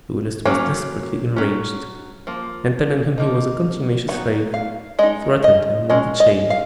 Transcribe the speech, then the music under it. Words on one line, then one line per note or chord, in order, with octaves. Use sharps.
Mr. Willis was desperately enraged, and, telling him he was a contumacious slave, threatened him with the chain.
D#3 F#3 A#3 C#4
F#3 C#4
F3 A#3
F3 A#3 D#4
F#3 B3 D#4 F#5
F5
G#3 D#4 D#5
D#5
G#3 C#4 D#5
D#5
F5